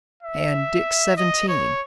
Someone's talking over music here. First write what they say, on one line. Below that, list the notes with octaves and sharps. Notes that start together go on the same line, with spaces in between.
And--Dick's seventeen!
E5
D#5
C#5